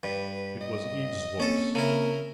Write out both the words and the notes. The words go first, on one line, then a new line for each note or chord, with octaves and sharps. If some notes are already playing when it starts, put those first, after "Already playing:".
It was Eve's voice.
G2 B4
D#5
A#3 C4 C#4 A4
C#3 E4 A#4